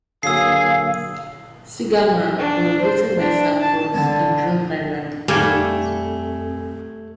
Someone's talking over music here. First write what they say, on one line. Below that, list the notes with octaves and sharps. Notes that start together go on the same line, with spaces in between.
"Cigarman" was written by Sam Gross, and drawn by Randy Jones.
D3 F#3 A#3 G#4 F5 E6 C7
D4
C5
D4
A5
D3
F2 G3 A3 A#3 A4 G#5 G#6